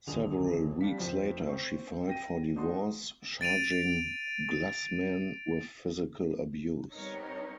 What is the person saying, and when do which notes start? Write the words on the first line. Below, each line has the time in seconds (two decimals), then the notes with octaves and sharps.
Several weeks later, she filed for divorce, charging Glusman with physical abuse.
0.07 D#1 B1 D3 F3 G#4 F7
0.81 G3 D4 F5 B6
0.98 F2 F3 C4
1.47 C4 C#6
2.08 G5 A#6 D#7
2.56 D4 D#4 F4 F#4 D#5 C6
3.41 A6 D7 D#7 F7
6.92 G3 B3 C4 D#4 A#4 C#5